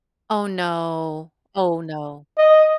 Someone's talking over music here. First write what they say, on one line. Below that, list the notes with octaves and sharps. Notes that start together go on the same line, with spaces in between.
Oh, no. Oh, no.
D#5